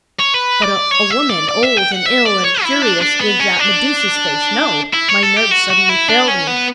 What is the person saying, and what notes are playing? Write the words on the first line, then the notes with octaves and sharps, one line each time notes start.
But a woman--old and ill and furious--with that Medusa's face--no! My nerves suddenly failed me.
C#5
B4
D5
C#5
E5
D5
D5
E5
G5
F#5
E5
D5
C#5
E4
D4
D4
B3
C#4
D4
E4
C#5
A4
G4
F#4
F#4
E4
D4
C#4
B3